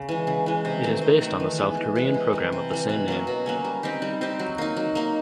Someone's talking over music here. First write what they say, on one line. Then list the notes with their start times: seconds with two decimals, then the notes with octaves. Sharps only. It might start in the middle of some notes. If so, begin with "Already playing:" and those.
It is based on the South Korean programme of the same name.
Already playing: C#3
0.09 E3 G#3
0.27 C#3
0.46 E3 G#3
0.65 C3
0.84 D#3 F#3 A3
1.02 C3
1.21 D#3 F#3 A3
1.40 E3
1.58 G#3 B3 E4
1.77 E3
1.95 G#3 B3 E4
2.14 C3
2.33 E3 G3
2.52 C3
2.71 E3 G3
2.89 B2
3.08 F#3 A#3 C#4
3.27 B2
3.46 F#3 A#3 C#4
3.65 G3
3.83 C4 D#4 G4
4.02 G3
4.21 C4 D#4 G4
4.39 F#3
4.58 A#3 D#4
4.77 F#3
4.95 A#3 D#4